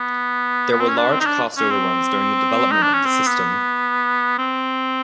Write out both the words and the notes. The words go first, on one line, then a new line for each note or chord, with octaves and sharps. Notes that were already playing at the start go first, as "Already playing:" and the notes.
There were large cost overruns during the development of the system.
Already playing: B3
B3
C4
C#4
D4
C4
D#4
D4
C#4
C4
D#4
D4
C#4
C4
B3
C4